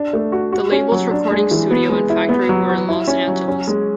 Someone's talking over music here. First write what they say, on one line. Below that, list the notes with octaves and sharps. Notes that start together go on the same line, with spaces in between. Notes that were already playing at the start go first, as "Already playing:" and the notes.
The label's recording studio and factory were in Los Angeles.
Already playing: D4
A3
F#4
F#4
C#4
F#3
D4
G#3
E3
B3
G#3
E4
B3
F#3
F#4
E4
C#4
F#3
C#4
G#3